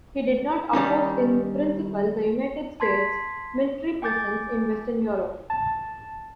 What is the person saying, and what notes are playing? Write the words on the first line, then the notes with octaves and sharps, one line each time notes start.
He did not oppose, in principle, the United States' military presence in Western Europe.
D#3 G3 C#4 D#4
A5 C6 G#6 B6 C7
G5 G#5 D6 G6 A6
A5